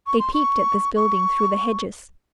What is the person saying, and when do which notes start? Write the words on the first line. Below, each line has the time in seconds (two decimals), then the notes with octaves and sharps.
They peeped at this building through the hedges.
0.07 C#6
0.19 C6
0.34 C#6
0.96 C#6